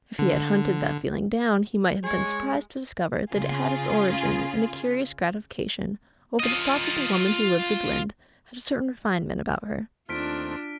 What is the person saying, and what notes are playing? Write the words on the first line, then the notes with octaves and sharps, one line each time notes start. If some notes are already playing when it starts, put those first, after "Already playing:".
If he had hunted that feeling down he might have been surprised to discover that it had its origin in a curious gratification over the thought that the woman who lived with Lynde had a certain refinement about her.
D3
G#3 G#4 C#5
C#3 F4 G#4
F4 D#5
D#2 A3 C4 D4 F4 F6 B6 D7